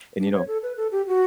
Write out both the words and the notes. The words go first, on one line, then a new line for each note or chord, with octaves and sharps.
and, you know
D4
C#5
A4
B4
A4
G4
F#4